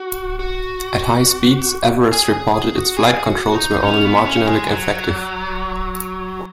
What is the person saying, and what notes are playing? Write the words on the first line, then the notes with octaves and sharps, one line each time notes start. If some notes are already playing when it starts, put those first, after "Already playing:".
At high speeds, Everest reported its flight controls were only marginally effective.
Already playing: F#4
F#4
G#4
G#4
G#4
F#4
G#4
F#4
D#4
C#4
B3
C#4
G#3
F#3